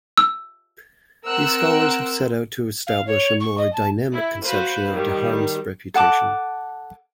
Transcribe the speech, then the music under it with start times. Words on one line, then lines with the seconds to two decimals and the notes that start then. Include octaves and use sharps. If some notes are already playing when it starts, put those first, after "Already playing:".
These scholars have set out to establish a more dynamic conception of Deharme's reputation.
0.18 E6
1.26 C4 A#4 F#5 E6 F#6
2.87 F5
3.07 C#5
3.40 C#6
3.58 D#5
3.73 A5
4.13 E4
4.43 F#4 B4 C5 F5
4.89 D#3 G3
5.94 A4 F#5 A5 D6